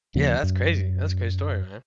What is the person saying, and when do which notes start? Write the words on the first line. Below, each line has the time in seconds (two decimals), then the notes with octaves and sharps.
Yeah, that's crazy. That's a great story, man.
0.15 D#2 C#3 F3 A#3
0.43 F#2